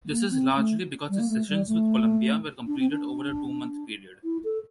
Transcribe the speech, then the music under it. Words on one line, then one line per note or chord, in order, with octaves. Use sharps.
This is largely because his sessions with Columbia were completed over a two-month period.
A#3
C4
A3
G3
A#3
A3
G3
A3
D4
C4
D4
E4
A4